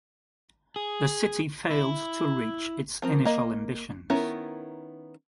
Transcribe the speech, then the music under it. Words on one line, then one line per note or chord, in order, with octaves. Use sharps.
The city failed to reach its initial ambitions.
G#4
E4
F3 C4 A#4
A#3 D#5
D#3 B3 C#4 E4 A#4